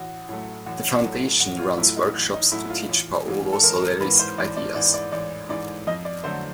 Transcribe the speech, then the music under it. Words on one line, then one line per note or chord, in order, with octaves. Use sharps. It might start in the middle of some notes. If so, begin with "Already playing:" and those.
The Foundation runs workshops to teach Paolo Soleri's ideas.
Already playing: A1 F#4
A2 F#3 A3
A1 F#4
A2 F#3 A3
A1 F#4
F4
A2 F#3 A3 E4
D#4
A1
D#4
A2 F#3 A3 E4
F4
A1
G#2 E3
A4
A1 A#4
A#4
G#2 E3 B4
C5
A1 D5
D5
G#2 E3 D5
D5
A1 D5
G#2 E3 D5
F2 D#5
D5
D3 F#3 A3 C5